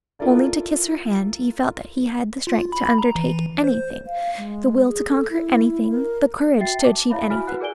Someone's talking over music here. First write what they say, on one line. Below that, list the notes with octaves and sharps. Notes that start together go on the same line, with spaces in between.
Only to kiss her hand he felt that he had the strength to undertake anything, the will to conquer anything, the courage to achieve anything.
E4 F4 A4 A#4 D5 F5
F4
B5
A#5
E3
C5
F5
G#3
G#4
A4
E4
A#4
F#4 E5 G5 A6 C7
A5 D6
E4 C#5 E5 F5 B5
E4 F#4 G#5 B5 F6
F#4 B4 F#5 F#6
G#4 A#4 D5 G#5 D7 G7